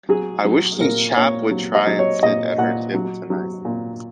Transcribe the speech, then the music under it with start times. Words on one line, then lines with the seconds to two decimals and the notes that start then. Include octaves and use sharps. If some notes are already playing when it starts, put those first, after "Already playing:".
I wish some chap would try and sit at her table tonight.
0.09 F#3 G#4
0.45 F#3
0.80 A#2 A#4
1.16 A#2 C#5
1.51 F#3
1.75 D#5
1.87 F#3
1.99 C#5
2.23 A#2 D#5
2.58 A#2 F#5
2.94 F#3
3.30 F#3
3.65 A#2